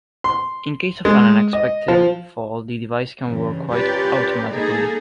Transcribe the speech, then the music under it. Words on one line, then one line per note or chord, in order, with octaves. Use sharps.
In case of an unexpected fall the device can work quite automatically.
C6
G#3
D#5
F3
G2 C#3 E3
C#4 F4 G4 A#4 B4 D5
A#3 D#4 G#4 A4